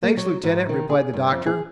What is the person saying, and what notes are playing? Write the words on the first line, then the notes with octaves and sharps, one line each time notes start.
"Thanks, Lieutenant," replied the Doctor.
A#3
F#3
G#2
D#3
G#4
G2
F2
G#4